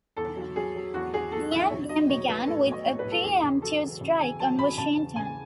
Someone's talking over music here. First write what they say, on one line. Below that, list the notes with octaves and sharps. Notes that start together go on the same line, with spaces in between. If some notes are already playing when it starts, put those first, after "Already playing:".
The end game began with a pre-emptive strike on Washington.
E2 A4
F#3
F#3 G#4
F#3
E2 F#4
E2 G#4
F#3 A4
E2 E5
B1 C#5
F#3 D#5
B1 C#5
B1 B4
A2 A4
B1
D#5
A2 C#5
B4
B1
A4
E2 G#4
C#3
F#3 A4
E1
C#3
E1 G#5
F#3 A5
C#3 B5
C#3 A5
E1
C#3 G#5